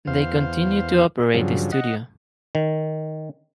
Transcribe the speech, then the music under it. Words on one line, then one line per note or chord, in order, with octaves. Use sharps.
They continue to operate the studio.
E2 C5 F5
G2 C#3 F3 F#3
D#5 F#5
D#3